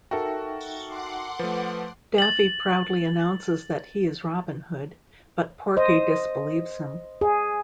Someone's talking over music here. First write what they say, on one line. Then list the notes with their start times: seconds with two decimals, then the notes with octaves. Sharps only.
Daffy proudly announces that he is Robin Hood, but Porky disbelieves him.
0.11 D#4 F#4 A4 A#4 E5 G5
0.85 F#5 C6 D6
1.39 F3 A3 B4
2.18 A6 F#7
5.77 C5 D#5
7.21 G#4